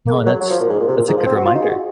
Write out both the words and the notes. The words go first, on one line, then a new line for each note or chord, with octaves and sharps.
No, that's that's a good reminder.
A#3
G#3
F#3
F#3
F3
A#2
G#2
A#2
C3
A#2
G#2
F3
C4
F#4
F4
D#4
G#4
F#4